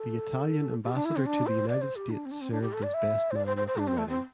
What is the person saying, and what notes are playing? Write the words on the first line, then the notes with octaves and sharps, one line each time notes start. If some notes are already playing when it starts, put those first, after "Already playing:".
The Italian ambassador to the United States served as best man at their wedding.
Already playing: A4
G4
D4
E4
C4
D4
C5
D5
C5
G4
D4
C4
D4
C4
D4
G4
A4
D5
E5
C5
D5
C5
C5
C5
D4
C4
A3
C4